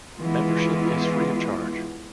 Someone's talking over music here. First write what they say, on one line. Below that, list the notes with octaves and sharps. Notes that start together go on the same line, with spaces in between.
Membership is free of charge.
E3 G#3 B3 F4